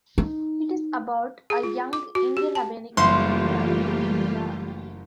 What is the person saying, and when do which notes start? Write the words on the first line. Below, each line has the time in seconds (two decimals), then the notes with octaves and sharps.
It is about a young Indian American's return to India.
0.18 D#4
1.50 G#4
1.63 F4
1.93 D6
2.15 F#4
2.37 G4
2.55 A5
2.97 F#1 E3 G3 A3 A#3 F4 G4 C6